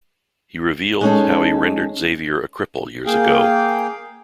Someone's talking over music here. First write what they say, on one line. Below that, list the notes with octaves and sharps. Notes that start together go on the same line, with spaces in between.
He revealed how he rendered Xavier a cripple years ago.
G#3 B3 C#4 D#4 G#4 A4
A#3 G#4 F5 G5